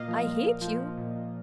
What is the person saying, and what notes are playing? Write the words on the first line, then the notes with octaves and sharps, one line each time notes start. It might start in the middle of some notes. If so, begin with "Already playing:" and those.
'I hate you?
Already playing: A#2 A#3 D#5 F5
F3
A#2
A#3
F3
F3
A#2
A#2